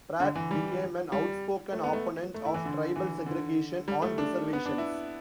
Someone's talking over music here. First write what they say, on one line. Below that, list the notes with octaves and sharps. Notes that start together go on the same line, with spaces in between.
Pratt became an outspoken opponent of tribal segregation on reservations.
D3
E3
G3
G3
A3
B3
A3
A3
E4
E3
D3
E3
D3
G3
A3
D4
B3
D4
E4